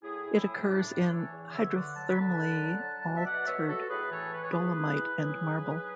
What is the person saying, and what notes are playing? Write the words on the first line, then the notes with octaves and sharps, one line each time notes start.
It occurs in hydrothermally altered dolomite and marble.
A2 E4 G#4
A2
E4 G#4
A2
A2 D4
A2 D4
E3 A4 C#5
E2
D3 C#5 E5
D3 D5 F#5
F#3 A5
B5
D3 F#5 A5
D3
F#3
F#3
B2
E5
B2 D5 F#5
B2 C#5 E5
F#3 F#4 A4
A2 G#4 B4
E3 A4 C#5
E3 B4
C#5
E3 G#4 B4
E3
E3
F#3 G#4 B4
G#2
F#3